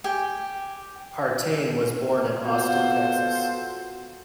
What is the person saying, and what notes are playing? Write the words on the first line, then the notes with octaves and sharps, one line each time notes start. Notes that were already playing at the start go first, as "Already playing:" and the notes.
Partain was born in Austin, Texas.
G4 G5 G#5
B3 F4 F#4 A4 C5